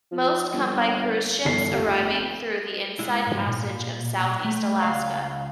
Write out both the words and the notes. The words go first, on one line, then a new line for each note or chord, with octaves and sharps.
Most come by cruise ships arriving through the Inside Passage of Southeast Alaska.
F3
G1
G1 C7
F1 G4
G#3 E4
G#2
A#2
A3
C#2 F5